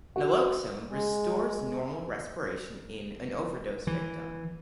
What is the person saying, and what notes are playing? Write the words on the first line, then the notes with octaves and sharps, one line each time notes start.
Naloxone restores normal respiration in an overdose victim.
F#4
G#3
E3